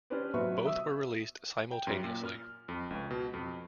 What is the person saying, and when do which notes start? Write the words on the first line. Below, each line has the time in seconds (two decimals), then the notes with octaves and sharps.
Both were released simultaneously.
0.10 C#4 D4 G4 B4 C5 D5
0.34 B2 F#3 F4 B4 E5 C#6
0.65 E5 D#6 E6
1.72 G5
1.87 F#2
2.04 A#2
2.25 F6
2.68 F2
2.90 C#2
3.10 B2
3.34 F2